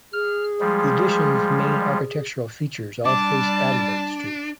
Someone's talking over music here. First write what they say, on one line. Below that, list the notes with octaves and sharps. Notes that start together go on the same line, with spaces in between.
The addition's main architectural features all face Adelaide Street.
G#4 F6
F3 G3 G#3
G3 D4 A5 D6